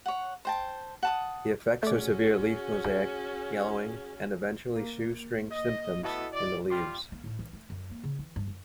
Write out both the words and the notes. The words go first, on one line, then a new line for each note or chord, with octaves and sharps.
The effects are severe leaf mosaic, yellowing and eventually "shoestring" symptoms in the leaves.
C#5 F#5
C5 G5 A5
F#5 A5 D#6
A3 C#4 F#4 G#4 D5
A#3
D#5
A3 B3 E4 F#4 A4 D#5
D5
G3 F4 G5 C6 D6
A#3
A2
E3
A3
F#2
A#3
C#3
E3
G2
F#2